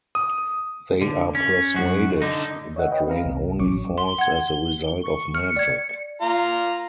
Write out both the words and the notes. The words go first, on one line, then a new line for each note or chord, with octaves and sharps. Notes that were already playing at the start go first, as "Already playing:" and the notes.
They are persuaded that rain only falls as a result of magic.
D#6
D3
C#4
F#2 F#4
D3 D#4
C#5 D#5 E5 F#5
B4 D#5 G5
C4 F5 A#5
C2
A1 F#3 C#4 C#6 D6
C6 G7
F#5 G#6
C#6
F6 C#7
D5 G#6
F4 A#5